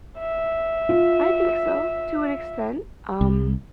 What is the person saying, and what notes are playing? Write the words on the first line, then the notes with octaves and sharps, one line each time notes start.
I think so to an extent. Um,
E5
F4
C2